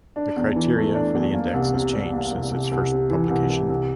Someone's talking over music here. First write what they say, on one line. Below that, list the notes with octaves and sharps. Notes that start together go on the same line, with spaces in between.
The criteria for the index has changed since its first publication.
D4
E2
E3
A3
D4
E2
A#3
C2
C3
G3
A#3
C2
C2
C2
C3
E3
C2
C2
C2